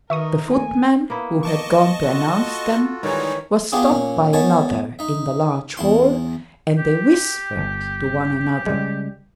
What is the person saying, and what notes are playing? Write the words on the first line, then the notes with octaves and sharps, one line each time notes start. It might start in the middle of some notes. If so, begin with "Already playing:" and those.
The footman who had gone to announce them was stopped by another in the large hall and they whispered to one another.
D#3 D#4 A#4 E5 C#6 D#6
A3 A#3 G#5
A#3 B3 E4
D#5 A5 C#6 D6
F4 F#4 A4
D#3 E3 G3 G#3 D#4 C#5
B3 D4 F4 G4 G#4
A#2 C#4
A3 B3 C#5 G#5 A5
D#4 E5
E2 E4 C6
G4
G1
C#3 G3 G#3